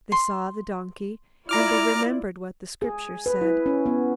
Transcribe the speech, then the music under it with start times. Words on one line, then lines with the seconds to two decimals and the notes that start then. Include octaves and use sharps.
They saw the donkey, and they remembered what the Scriptures said.
0.12 C6
1.49 E4 F4 D5 A#5 D6 F6
2.82 G#4
3.26 B4
3.41 E4
3.66 C#4
3.86 B3